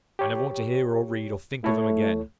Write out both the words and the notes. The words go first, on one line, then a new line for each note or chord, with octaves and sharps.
I never want to hear, or read, or think of them again!'
G4 C#5
A3 E4 A4 C#5